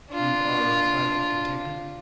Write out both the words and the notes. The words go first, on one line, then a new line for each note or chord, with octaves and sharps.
"You are a private detective?"
D4 F4